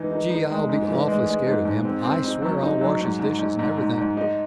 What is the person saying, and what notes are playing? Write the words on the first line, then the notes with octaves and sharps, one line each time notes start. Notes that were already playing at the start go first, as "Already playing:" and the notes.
Gee, I'll be awfully scared of him. I swear, I'll wash his dishes and everything.
Already playing: E3 G#3 D#4
D#4
D#4
G#3
G#2
E3
G#3
G#3
G#2
G#2
C4
C4
D#4
F#3
D#4
F#3
G#2
G#2
G#2
G#2
G#2
G#2
D#4